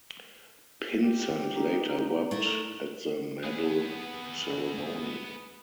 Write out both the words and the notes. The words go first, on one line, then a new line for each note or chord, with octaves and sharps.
Pinsent later wept at the medal ceremony.
G4
D#4
A3 E4 A#4
B3 G#4